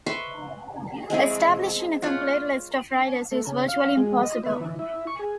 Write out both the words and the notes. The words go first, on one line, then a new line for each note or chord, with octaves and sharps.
Establishing a complete list of riders is virtually impossible.
B4 E5 C6 C#6
G#3 C4 E4 G#4
F4 C#5 F#5
A3
C#3
F5
G#3
D#5
B3
E3
E4
C#6
G#4